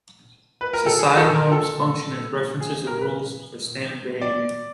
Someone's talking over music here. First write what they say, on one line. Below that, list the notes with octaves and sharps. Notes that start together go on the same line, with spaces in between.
Societal norms function as references or rules for standard behavior.
B4
A#4
A4
G#4
A4
A#4
A4
G#4
A#4
B4
D5